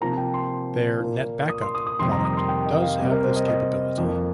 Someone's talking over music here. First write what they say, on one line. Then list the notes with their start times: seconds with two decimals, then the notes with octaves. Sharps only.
Their NetBackup product does have this capability.
0.01 C3 F3 A#3 A#5
0.17 G5
0.34 C6
1.00 A#2 A#3
1.49 D#6
1.62 C6
1.75 D#6
1.87 D#6
1.99 F2 C3 D#3 G3 A#3 C6
2.12 A#5
2.25 D#6
2.37 C6
2.49 G5
2.66 D#5
2.82 F5
2.99 C3 G3 A#3 D#5
3.11 A#4
3.23 C5
3.36 D#5
3.48 D#5
3.98 F2 F3 A#3